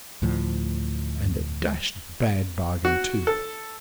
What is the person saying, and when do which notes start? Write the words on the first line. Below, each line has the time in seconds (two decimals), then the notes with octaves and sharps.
'And a dashed bad bargain too.
0.22 D2 A2 F3
2.85 F#4
3.27 A4